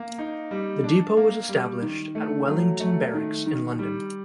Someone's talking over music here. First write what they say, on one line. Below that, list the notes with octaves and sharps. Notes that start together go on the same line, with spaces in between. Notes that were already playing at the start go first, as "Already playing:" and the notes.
The depot was established at Wellington Barracks in London.
Already playing: A#3
D#4
G3
D4
A#3
G3
D#3
A3
F#3
A3
D#3
D#3
G3